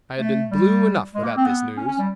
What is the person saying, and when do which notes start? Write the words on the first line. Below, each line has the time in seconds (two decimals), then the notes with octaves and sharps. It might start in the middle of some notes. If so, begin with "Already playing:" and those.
I had been blue enough without this news.
0.19 A3
0.50 G3
1.14 G#3
1.24 A#3
1.36 C4
1.45 B3
1.77 C#4
1.87 C#4
1.99 G3